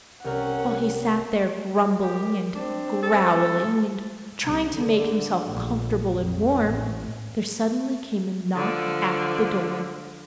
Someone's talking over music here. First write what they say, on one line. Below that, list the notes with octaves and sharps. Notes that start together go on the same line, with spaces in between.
While he sat there grumbling and growling and trying to make himself comfortable and warm, there suddenly came a knock at the door.
C2 C#4 A#4 F#5
G4 A#4
C4 D4
A4
C2
D3
A#1
F2
A1
D3 F3